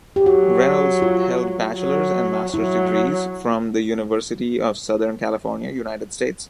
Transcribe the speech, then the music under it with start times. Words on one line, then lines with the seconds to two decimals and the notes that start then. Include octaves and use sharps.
Reynolds held bachelor's and master's degrees from the University of Southern California, United States.
0.16 G4
0.26 F#3 F#4
1.02 F4
1.78 F#3
2.53 F#3 E4